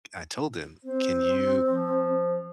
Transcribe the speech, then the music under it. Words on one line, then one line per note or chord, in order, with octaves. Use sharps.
I told them, "Can you"
C4 C5
F3